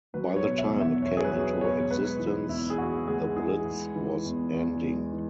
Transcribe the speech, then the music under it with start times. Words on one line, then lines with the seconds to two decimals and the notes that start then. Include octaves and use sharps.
By the time it came into existence the Blitz was ending.
0.14 F#3 B4
0.36 C#5
0.43 B2
0.58 E5
0.73 E2
0.80 E5
1.02 E2 C#5
1.17 G#4
1.24 B4
1.31 F#3 C#5
1.61 B2 C#5
1.90 G#3 B4
2.19 E3
2.49 E2 E4
2.70 G#4
2.78 E2 F#4
3.07 G#3 G#4
3.37 E3 G#4
3.66 G#3
3.96 E3
4.25 E2
4.54 E2
4.83 G#3
5.13 E3